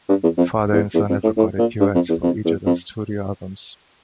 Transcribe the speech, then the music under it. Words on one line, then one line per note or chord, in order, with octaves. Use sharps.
Father and son have recorded duets for each other's studio albums.
G2
E2
F2
E2
E2
F2
A2
A2
A#2
G2
F2
E2
F2
E2
F2